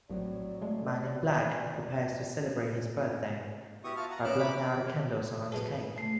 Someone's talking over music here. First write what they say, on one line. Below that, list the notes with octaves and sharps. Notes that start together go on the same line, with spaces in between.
Man in black prepares to celebrate his birthday by blowing out the candles on his cake.
A#1 A2 F#3 C4 D5
C#3 G#3 A3
B3 E4 F#4 G4 C#6 D#6
F4 F#4 E5 A5 F6
F#5 A#5
B3 C#4 E5 D6 F6 F#6
B5 D6
B2 G#3 A4
A3